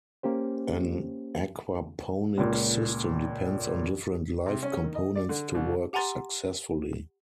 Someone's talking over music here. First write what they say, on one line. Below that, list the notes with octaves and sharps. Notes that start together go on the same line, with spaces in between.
An aquaponic system depends on different live components to work successfully.
A#3 C#4 G4 C5
C#2 A#2
C3
C#4
D#3
D#5
D5
D3
C2
G4 F#5 G#5 A#5 C6 A6